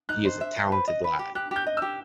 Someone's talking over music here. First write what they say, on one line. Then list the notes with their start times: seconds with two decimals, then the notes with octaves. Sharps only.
He is a talented lad.
0.09 D#4 F#6
0.25 C5
0.41 E5
0.56 C5
0.72 B4
0.88 D#5
1.04 B4
1.19 G4
1.35 G4 F#6
1.51 G4 G6
1.67 D#5
1.77 G4 E6